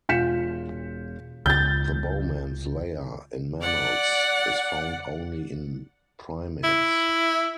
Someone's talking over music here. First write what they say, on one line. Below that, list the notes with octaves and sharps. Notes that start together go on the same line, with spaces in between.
The Bowman's layer, in mammals, is found only in primates.
E1 F4 G6 B6 C#7 E7
C#2 G6 A6
D5 F#5
E4